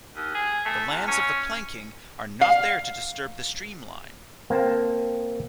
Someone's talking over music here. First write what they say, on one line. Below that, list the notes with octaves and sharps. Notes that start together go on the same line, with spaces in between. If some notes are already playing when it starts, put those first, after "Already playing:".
The lands of the planking are not there to disturb the stream line.
D#2
G#4
A3
E2
C#4
F5
A#3 C4 A5